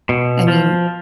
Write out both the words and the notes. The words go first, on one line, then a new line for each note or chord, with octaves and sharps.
I mean,
B2
F3